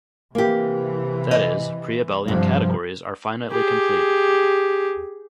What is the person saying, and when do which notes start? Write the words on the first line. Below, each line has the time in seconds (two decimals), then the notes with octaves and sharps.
That is, pre-abelian categories are finitely complete.
0.35 C3 E3 A#3 G4
1.31 D#5
2.28 G2 C3 F3 F#4
3.51 G4 G#4